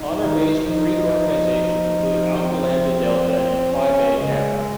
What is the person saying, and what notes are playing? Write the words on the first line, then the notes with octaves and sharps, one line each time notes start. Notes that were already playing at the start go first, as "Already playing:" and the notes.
Honor-based Greek organizations include Alpha Lambda Delta and Phi Beta Kappa.
Already playing: D#4
D#3
F3 D#4
C4
C4
C#4
C#3 G#3